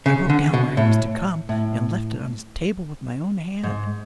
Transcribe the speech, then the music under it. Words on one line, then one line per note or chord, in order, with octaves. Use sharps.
I wrote down where he was to come, and left it on his table with my own hand.
C#3
D3
B2
A2
A2
G#2